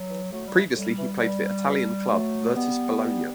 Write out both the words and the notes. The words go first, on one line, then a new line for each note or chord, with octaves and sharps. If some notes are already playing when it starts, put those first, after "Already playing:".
Previously he played for Italian club Virtus Bologna.
Already playing: F#3
E3
A2 F#3 A3
G3
E3
A2 G3
E3
B2 G3
B2
B2 F#3 A3
B2 G3 B3
B2